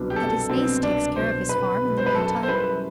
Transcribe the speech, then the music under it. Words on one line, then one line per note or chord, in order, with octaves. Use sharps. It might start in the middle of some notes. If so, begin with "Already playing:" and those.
"And his niece takes care of his farm in the meantime?"
Already playing: C2 B2 F#3 B3 D4
G4
C2 A4
B2 F#3 B3 C4 D4
C2 D4
B2 F#3 B3 D4 C5
C2 B4
B2 F#3 B3 D4
C5
B4
F#2 A4
C5
E3 G3 B4